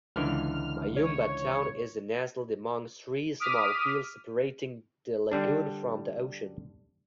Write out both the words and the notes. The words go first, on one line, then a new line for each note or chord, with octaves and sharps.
Mayumba town is nestled among three small hills separating the lagoon from the ocean.
C#2 D3 E3 F6
C#5
D6 D#6 F6 B6 D#7
D3 G3 D4